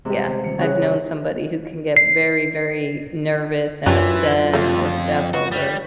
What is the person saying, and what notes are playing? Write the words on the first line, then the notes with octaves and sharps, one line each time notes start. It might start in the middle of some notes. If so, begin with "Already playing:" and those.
yeah, I've known somebody who can get very, very nervous and upset and worked up over
C3 G3 G#3 G4
D#1 C#7
C#3 G3 G#4 C#5 F#5
G2
C7
F#2 E3 D4 F4 G4 C#5
F2 A3 F5
F4 F#4
G3